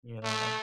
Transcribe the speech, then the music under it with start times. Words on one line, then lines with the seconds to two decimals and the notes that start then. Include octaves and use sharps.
you know, I
0.24 A3